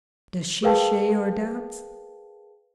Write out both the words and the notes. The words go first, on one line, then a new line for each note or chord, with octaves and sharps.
"Does she share your doubts?"
G#4 A#4 B4 F5 G5 A5